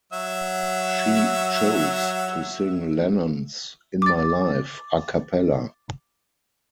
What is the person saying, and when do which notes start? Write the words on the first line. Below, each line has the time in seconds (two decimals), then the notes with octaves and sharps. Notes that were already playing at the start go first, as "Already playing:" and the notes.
She chose to sing Lennon's "In My Life" a cappella.
0.13 F#3 E5
4.02 D6 A6